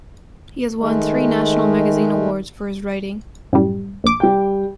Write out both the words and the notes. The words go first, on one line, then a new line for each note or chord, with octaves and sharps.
He has won three National Magazine Awards for his writing.
D#3 G#3 A3
F#2 A2 G3
A#1 D6
G3 G5